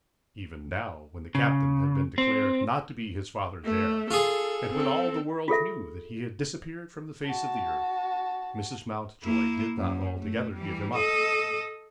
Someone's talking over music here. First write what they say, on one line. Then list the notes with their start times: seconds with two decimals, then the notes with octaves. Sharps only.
Even now, when the captain had been declared not to be his father's heir, and when all the world knew that he had disappeared from the face of the earth, Mrs. Mountjoy did not altogether give him up.
1.35 C#3
2.18 C4
3.64 A3
4.11 F4 G#4 A4
4.72 C4 A4
5.48 F4 G#4 A4 E5
7.26 F#4 A5
9.23 A#3 E4
9.77 F#2
10.19 A3
10.54 E3 G3
10.95 A4 D#5